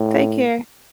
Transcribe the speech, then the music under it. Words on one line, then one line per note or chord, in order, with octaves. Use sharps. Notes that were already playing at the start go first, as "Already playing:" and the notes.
take care.
Already playing: A2